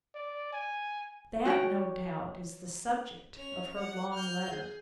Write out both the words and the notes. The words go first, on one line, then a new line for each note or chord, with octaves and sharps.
That, no doubt, is the subject of her long letter.
D5
G#5
F#4 C#5 G5
C#4 F7
F#5
F6 G6
G#4